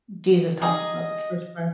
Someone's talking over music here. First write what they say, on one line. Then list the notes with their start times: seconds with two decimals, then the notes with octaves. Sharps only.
Jesus talked about the first press.
0.62 D#4 G4 G#4 D#5